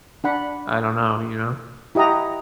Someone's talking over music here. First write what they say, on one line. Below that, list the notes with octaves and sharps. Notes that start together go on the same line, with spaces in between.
I don't know, you know?
D4 F#5 B5
E4 G4 D#5 F#5 A#5